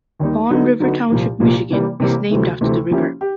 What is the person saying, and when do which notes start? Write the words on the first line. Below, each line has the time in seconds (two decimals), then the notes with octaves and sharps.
Fawn River Township, Michigan is named after the river.
0.20 D#2 D#3 G3 A#3 D#4
0.50 D3 F#3 B3 D#4 F#4
0.80 D3 F#3 B3 D#4 F#4
1.10 C2 A#2 F3 A#3
1.40 C2 A#2 F3 A#3
1.70 C3 E3 G3 A#3
2.00 C3 E3 G3 A#3
2.30 D2 C3 E3 A3
2.61 D2 C3 E3 A3
2.91 F3 A#3 C#4 E4 G4
3.21 G4